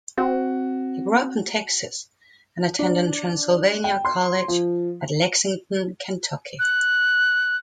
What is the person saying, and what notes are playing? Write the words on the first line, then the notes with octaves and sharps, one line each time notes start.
He grew up in Texas and attended Transylvania College at Lexington, Kentucky.
C4 F#4
D4
G5
C6
F3
F#6